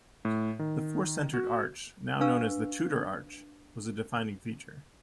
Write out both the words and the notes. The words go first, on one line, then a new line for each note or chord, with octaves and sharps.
The four-centered arch, now known as the Tudor arch, was a defining feature.
A2
D#3
F#4
D4 B4 F5 C#6 E6